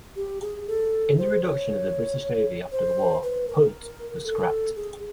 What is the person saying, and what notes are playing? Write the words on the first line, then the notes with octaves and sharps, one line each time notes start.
In the reduction of the British Navy after the war, "Hunt" was scrapped.
G4
G#4
A4
C5
C#5
C5
B4
A#4
A4
G#4